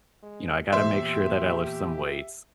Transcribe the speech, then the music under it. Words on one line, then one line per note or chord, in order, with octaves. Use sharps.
You know, I gotta make sure that I lift some weights,
G#3
E2 A#2 G4 C5 E5